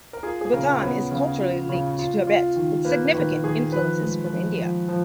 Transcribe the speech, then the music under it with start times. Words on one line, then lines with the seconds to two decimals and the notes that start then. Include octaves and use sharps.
Bhutan is a culturally linked to Tibet with significant influences from India.
0.13 A#4
0.23 F4 G#4
0.41 G#4
0.53 C#3 A#4
0.82 B3 C#5
1.11 C#3
1.40 F4
1.69 C#3
1.98 F4
2.27 F4
2.56 D#3
2.85 A#3 B4
3.14 D#3 B4
3.43 D#3 G#4
3.72 F3 B4
4.01 G#3
4.30 F3
4.59 F3
4.89 F3